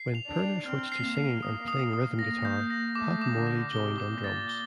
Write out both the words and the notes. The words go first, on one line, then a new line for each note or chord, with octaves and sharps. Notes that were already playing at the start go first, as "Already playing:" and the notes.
When Pirner switched to singing and playing rhythm guitar, Pat Morley joined on drums.
Already playing: C7
F7
D4
F7
C4 F6
C7
A#3
C7
D#6
D#6
D#6
A#3 A#6
G6
A#6
A3 D6
D6
D3
D6
C3 G7
D6
A#2
A6
G7